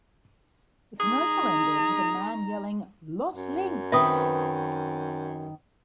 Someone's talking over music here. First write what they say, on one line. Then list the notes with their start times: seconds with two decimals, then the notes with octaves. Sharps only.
The commercial ended with a man yelling Los Links!
1.00 D#4 G#4 A#5
3.36 F#2
3.92 D#3 C4 B4 E5 D#6